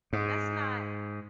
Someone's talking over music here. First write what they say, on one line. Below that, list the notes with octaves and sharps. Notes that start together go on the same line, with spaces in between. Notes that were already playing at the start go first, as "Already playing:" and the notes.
And that's not
G#2